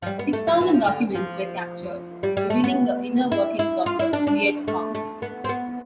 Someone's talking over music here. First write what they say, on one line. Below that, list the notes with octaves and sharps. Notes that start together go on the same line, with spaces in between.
Six thousand documents were captured, revealing the inner workings of the Viet Cong.
F3
G3
B3
A3
F3
E3
F3
D3
F3
G3
G3
A3
B3
E4
E4
F4
E4
D4
D4
A3
A3
B3
C4
B3